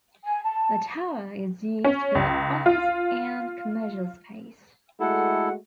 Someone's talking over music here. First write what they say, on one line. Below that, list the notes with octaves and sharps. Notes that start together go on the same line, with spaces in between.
The tower is used for office and commercial space.
G#5
A5
C#4
C#2
F4
G#3 A3 E4 F#4 A4 F#5